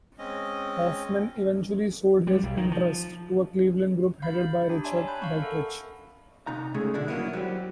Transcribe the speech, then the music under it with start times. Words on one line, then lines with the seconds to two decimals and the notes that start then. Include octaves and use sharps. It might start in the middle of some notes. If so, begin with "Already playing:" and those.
Hoffman eventually sold his interest to a Cleveland group headed by Richard Dietrich.
0.19 G#3 C4 C#4 D#5
2.27 G3
2.43 B1
2.57 D#3
2.72 F3
4.22 F5 B5 G6 A6
4.70 D4 G4 G5 A#5
4.84 C#5 D5 E5 G#5 A5 C6
5.08 A5 B5 F#6 G6
5.22 F5 C#6
5.42 A4 A#4 E5 F#5
6.47 C3 D#4 A#5
6.74 C#3 G#3 A3 G#4
6.94 B2 D3 G#3 D4 E4
7.08 G2 D#3 F#3 A#3 B3 E4
7.33 F#3 G3 C4 G4